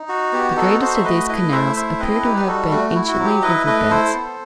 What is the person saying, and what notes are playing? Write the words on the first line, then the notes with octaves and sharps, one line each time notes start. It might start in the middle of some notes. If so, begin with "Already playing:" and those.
The greatest of these canals appear to have been anciently river beds.
Already playing: D#4
F#4
B3 G4
G4
D#4 F#4 A4
F#4 A4 C5
E5
A3 B4 D#5
E4 B4 D#5
A3 C5 E5
E4 C5 E5
C4 B4 D#5
A4
D#4 G4 B4
B4
G3 F#4 A4
A3 F#4
F#4
E4
F#4
F#3
G4
E4 B4 D#5
A3 B4 D#5
E4 A4 C5
B3